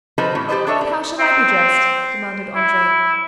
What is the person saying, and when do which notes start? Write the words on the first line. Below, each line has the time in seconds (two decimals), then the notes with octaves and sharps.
"And how shall I be dressed?" demanded Andrea.
0.18 F3 D#4 F#4 A4 B4 C5
0.35 A2 E3 C#4
0.48 G4 A4 B4 C5 D#5
0.67 D4 A4 C#5 D#5 E5
0.81 D4
1.20 C4
2.56 E4